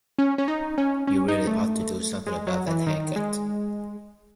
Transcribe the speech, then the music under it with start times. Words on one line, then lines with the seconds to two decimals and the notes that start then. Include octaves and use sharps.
You really ought to do something about that haircut.
0.18 C#4
0.38 C#4
0.48 D#4
0.78 C#4
1.07 C#4
1.28 D#4
1.47 A3
2.27 G#3
2.47 F#3
2.67 E3
2.86 D#3
3.16 G#3